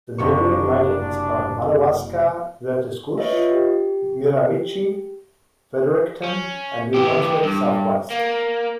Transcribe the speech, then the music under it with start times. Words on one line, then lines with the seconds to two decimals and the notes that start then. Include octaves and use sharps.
The neighbouring ridings are Madawaska-Restigouche, Miramichi, Fredericton, and New Brunswick Southwest.
0.18 F#1 C3 D4 C#6
3.18 B4 C#5 D#5 E5
3.32 F4 D#5
3.51 G4
6.24 C#4
6.94 E3 G4
7.43 G2
8.11 A#3